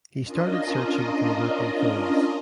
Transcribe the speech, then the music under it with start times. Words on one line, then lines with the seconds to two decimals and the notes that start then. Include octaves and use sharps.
He started searching for work in films.
0.23 C#4 D4 F4 A#4 D#5